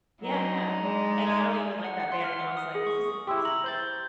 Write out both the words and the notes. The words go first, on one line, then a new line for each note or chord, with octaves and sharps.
Yeah, yeah, and I don't even like that band, and I was, like, "This is interesting."
F#3 D4 D#4
G#3 D5
F#5
F#5
C6
F6
F#5
D#6
G#4
C#6
E4 G4 G5 C6 E6
A#5 F#7
C5 G6 A6